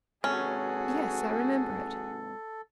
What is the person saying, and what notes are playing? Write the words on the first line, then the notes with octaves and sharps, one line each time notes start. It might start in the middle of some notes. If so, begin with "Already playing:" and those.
"Yes; I remember it."
G#2 C3 C#4 F#4 G#4 A4